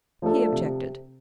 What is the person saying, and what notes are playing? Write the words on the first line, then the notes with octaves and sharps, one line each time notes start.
He objected.
F3 A3 D4 A4
C3